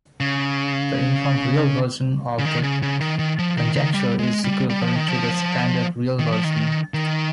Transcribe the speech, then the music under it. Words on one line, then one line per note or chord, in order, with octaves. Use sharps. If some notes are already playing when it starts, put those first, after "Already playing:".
The uniform real version of the conjecture is equivalent to the standard real version.
C#3
C#3
D#3
C#3
C#3
D#3
D#3
F3
D#3
D#3
G3
G#3
G3
G3
F3
D#3
F3
D#3
F3
D#3
D#3